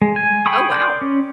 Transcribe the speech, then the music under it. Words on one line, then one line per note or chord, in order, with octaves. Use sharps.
Oh, wow.
G#3
G#5
G#4 G5 B5 C#6 D#6
A#4 D5 C6 D6 G6
C#4